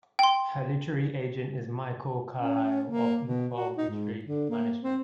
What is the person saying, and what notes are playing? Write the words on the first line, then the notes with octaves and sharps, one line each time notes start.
Her literary agent is Michael Carlisle of Inkwell Literary Management.
G5 C6
C#4
A#3
B2
F#4
D#4
G#2
D3
A#3
C4